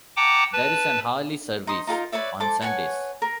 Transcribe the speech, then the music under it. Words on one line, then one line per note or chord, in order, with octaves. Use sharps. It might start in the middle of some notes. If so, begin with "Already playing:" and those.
There is an hourly service on Sundays.
F#5 G5 A5 A#5 D6
B4 A5
D#4 C6 D#6
D#4 F4 G#4 A#4
B4 C#5 D5 E5
A4 C5 A5 D6
B4 C#5 F#5 G#5
A#4